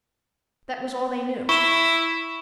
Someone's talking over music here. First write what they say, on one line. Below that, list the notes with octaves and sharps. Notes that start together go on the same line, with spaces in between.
That was all they knew.
E4 C#6 E7